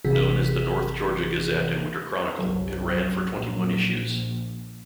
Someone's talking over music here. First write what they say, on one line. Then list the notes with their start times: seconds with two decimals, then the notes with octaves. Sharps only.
Known as the "North Georgia Gazette and Winter Chronicle", it ran for twenty-one issues.
0.05 G#1 C3 E3 F#4 G#4 B6
2.39 G1 C2 F#3
3.28 A#1